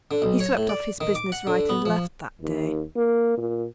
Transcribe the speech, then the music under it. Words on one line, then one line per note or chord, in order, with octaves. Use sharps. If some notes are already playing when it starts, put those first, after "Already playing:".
He swept off his business right and left that day.
D3
B1
C#5
A2
D5
D#3
D6
F#5
D3
B3
F3
D#2
A#3
A#2